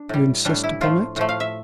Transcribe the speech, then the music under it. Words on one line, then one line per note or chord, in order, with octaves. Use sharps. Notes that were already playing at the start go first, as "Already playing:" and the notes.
"You insist upon it?"
Already playing: D4
A2 G3
A2 G3 D4
E4
A2 F3 A3 F4
A2 F3 A3
F5
E5